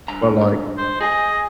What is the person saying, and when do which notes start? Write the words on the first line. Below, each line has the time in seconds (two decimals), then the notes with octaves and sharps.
but like
0.08 G2 A#5
0.78 C5
1.01 G#4 D#5 G#5